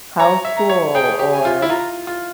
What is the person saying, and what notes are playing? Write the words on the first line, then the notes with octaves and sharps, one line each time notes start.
"How's school?" or
C#5 A#5
E5
A#5
C#5
G#4 G5
G4
G#5
F4
E4
F4 A#5
F4